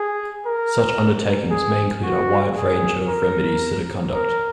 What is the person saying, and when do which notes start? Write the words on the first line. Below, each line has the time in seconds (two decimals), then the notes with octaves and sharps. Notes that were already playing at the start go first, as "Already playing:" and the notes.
Such undertakings may include a wide range of remedies to the conduct.
Already playing: G#4
0.46 A#4
1.51 G#4
2.03 F#4
2.56 G#4
3.08 A#4
4.14 A#4